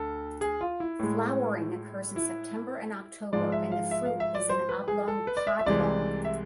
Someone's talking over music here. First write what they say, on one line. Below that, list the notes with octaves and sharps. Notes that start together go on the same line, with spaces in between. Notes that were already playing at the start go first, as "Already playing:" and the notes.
Flowering occurs in September and October and the fruit is an oblong pod long.
Already playing: D2 A4
G#4
F4
E4
A2 G#3
E4
G#2 F3 G#3 D5
E5
F5
E5
F5
E5
D5
C5
B4
G#4
A4
B4
D5
E5
E5
C2 C3 E3 G#3 D5
E5